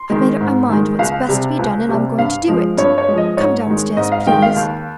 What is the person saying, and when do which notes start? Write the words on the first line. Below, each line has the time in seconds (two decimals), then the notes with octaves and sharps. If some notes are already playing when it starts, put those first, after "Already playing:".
"I've made up my mind what's best to be done, and I'm going to do it. Come down-stairs, please."
Already playing: C6
0.10 D#3 G#3
0.40 G#2
0.69 D#3 G#3
0.99 C#2 F5
1.29 C3 G3
1.59 C#2
1.89 C3 G3
2.18 G2 F5
2.48 F3 G#3
2.78 G2 C#5
2.98 C#5
3.08 F3 G#3
3.18 D#5
3.37 G#2 C#5
3.67 D#3 G#3
3.97 G#2 D#5
4.12 F5
4.27 D#3 G#3 G5
4.42 F5
4.56 D#2